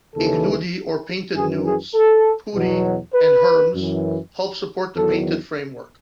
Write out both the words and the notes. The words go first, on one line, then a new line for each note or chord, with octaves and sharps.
"Ignudi" or painted nudes, putti, and herms help support the painted framework.
D#2 C#3 E3 A4
F#2 E3 G#4
G#4
A4
E2 B2 F#3
B4
F#2 E3
E2 D#3 F#3 A4